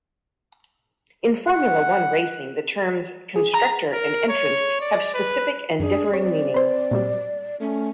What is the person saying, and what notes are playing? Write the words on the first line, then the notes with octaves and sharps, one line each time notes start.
In Formula One racing the terms "constructor" and "entrant" have specific and differing meanings.
F#5
G#4
A#5
A#4
C#5
D5
B4
F#2 D4 G#4
C4 C#5 D5
B4 C5
A#2 F#3 G3
A3 C#4